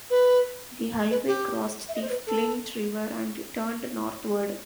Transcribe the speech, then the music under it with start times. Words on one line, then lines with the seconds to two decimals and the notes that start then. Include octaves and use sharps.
The highway crossed the Flint River and turned northward.
0.10 B4
1.10 B4
1.27 G4
1.89 E5
1.95 D#5
2.02 C5
2.09 B4
2.27 A4